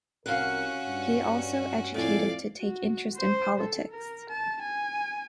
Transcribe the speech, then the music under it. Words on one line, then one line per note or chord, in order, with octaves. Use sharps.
He also educated to take interest in politics.
C2 C#4 F#4 A#4 F5 F#5
G2
F2 A2 A3 D5 F5 G#5
F#4
C5
A4
A#4
A5
G#5